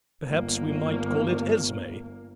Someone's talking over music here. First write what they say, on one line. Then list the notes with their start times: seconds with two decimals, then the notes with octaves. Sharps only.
Perhaps we might call it Esme.
0.25 G1 A#3